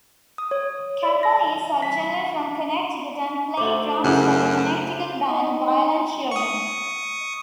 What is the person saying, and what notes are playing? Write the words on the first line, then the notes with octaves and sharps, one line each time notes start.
Cappo is originally from Connecticut, and played drums for the Connecticut band Violent Children.
D#6
C#5
D5
A#6
B6
A3 C5 D6
F#2 C#3 E4
D#4
C#6 D#6